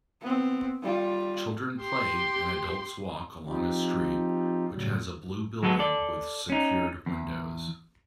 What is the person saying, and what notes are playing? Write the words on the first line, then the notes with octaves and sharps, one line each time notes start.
Children play and adults walk along a street which has a blue building with secured windows.
B3 C4
G3 F4
G4 C6
F3 C4 D#4 F4 G4
A2 C#3 F#3 G3
F#3 G#3 B3 A4
A4 D5
C#4 D#4
E2